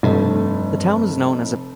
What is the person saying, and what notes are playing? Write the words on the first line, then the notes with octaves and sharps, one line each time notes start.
The town is known as a balneologic and climatic resort.
F1 G2 A3